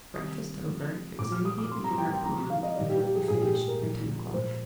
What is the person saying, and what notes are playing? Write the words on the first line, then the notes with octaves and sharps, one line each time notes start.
Breakfast over, it was immediately entered upon, and would be finished by ten o'clock.
C3 D#3 G3 D#6
C3 F3 G#3
A#2 F3 G#3 D6
F6
D#6
D6
C3 G3 C6
A#5
G5
G5
C3 F3 G#3 A#5
F5
D#5
A#2 G3 D5
G4
G4
G#4
A#2 G#3 G#4
G4
G#4
A#4
A#2 F3 G#3
A#2 F3 G#3 C5